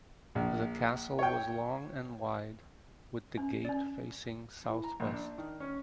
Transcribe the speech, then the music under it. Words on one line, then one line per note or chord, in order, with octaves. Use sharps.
The castle was long and wide with the gate facing southwest.
A#1
C#5 G5
C#4
C#4 D5
E3
A#5
A#1
D4
D#3
C#4